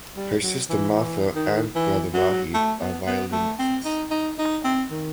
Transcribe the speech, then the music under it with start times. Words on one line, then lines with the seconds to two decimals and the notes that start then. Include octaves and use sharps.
Her sister Martha and brother Vahid are violinists.
0.16 G3
0.43 F#3
0.70 E3
0.95 E3
1.36 D#3
1.75 E3
2.14 F#3
2.54 A3
2.80 B3
3.06 B3
3.32 A3
3.59 C4
3.85 D#4
4.11 D#4
4.39 D#4
4.64 C4
4.91 D#3